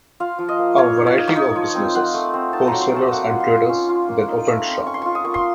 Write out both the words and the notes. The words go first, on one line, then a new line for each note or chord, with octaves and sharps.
A variety of businesses: wholesalers and traders, then opened shop.
F4 F5
F3
D#5
A#3
A#3 C#5
D#4
C#5
D#4
C#5
D#4 D#5
F3
C4
F4 F#5
A3
C4
D#4 A5
F#3 A#5
C6
A3 A5
A#3 F#5
F4
C6
F4
C#4
F4
A#3
D#4
A3
C4
C#4 C#6
C6
F4 C#6
D#6
A#3 C#6
C6